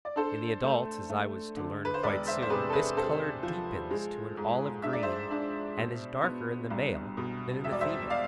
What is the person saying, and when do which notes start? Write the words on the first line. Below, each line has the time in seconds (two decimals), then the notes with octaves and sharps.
In the adults, as I was to learn quite soon, this color deepens to an olive green and is darker in the male than in the female.
0.05 D5
0.16 D4 A4 C5
0.63 A3
1.10 A3
1.56 D3
1.85 B4
1.94 C5
2.03 E1 B4 D5
2.27 C5 E5
2.42 C5
2.49 C3 G#4 B4
2.70 A4
2.73 G#4 B4
2.96 C3 A4 C5
3.43 F3
3.91 G#3
4.37 G#2
4.83 D4 E5
4.93 D5
5.02 C5 E5
5.31 D4
5.77 B2
6.23 B3
6.70 C2
7.17 B2
7.64 E1 E5
7.72 D5
7.81 C5 E5
8.10 D5 F5